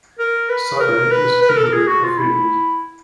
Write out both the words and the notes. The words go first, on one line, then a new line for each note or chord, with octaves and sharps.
Sadeh is Hebrew for "field".
A#4
B4
A#4
B4
B4
A#4
A4
A#4
G#4
F#4
F4
E4